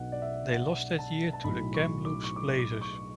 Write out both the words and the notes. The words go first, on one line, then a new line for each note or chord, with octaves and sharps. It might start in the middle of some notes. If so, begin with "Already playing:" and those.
They lost that year to the Kamloops Blazers.
Already playing: B1 B2 F#3 F#5
D5
E5
F#5
A5
A5
B1 A2 F#3 B5
C#6
D6
C#6
D6
D6
C#6